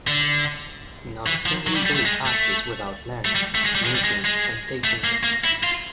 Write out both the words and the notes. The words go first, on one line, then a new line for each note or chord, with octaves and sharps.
Not a single day passes without learning, making, and taking it.
D3
E3
F3
F#3
G3
G3
A3
G#3
A3
A3
G3
A3
G#3
G3
G#3
G3
G#3
G#3
A3
A#3
A#3
E4
F4